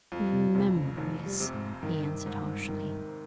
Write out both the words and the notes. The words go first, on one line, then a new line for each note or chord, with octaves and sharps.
"Memories!" he answered harshly.
F2
C3
F1 C3
C#3
F1 D#3
G3
C3
G#2
G2 D#3
G#2
D#3